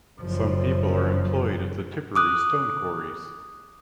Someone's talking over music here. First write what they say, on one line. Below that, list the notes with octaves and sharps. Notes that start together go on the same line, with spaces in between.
Some people are employed at the Tiperu Stone Quarries.
F#1 F3
D6 D#6 F#6